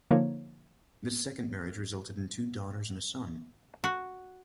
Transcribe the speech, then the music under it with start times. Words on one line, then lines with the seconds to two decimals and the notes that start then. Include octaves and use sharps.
This second marriage resulted in two daughters and a son.
0.11 D3 F3 A#3 D#4 C#5
3.84 F#4